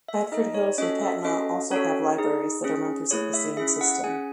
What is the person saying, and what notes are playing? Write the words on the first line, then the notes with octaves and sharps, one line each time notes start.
Bedford Hills and Katonah also have libraries that are members of the same system.
E5
D#4 A4 D#5
C#5
C#4 F#4 A4 D#5
E5
C#4 F#4 A4 D#5
C#4 F#4 A4 C#5
D#4 G#4
C#4 G#4
A3 E4 G#4 C#5
E5
C#4 E4 G#4 E5
F#5
C#4 G#4 G#5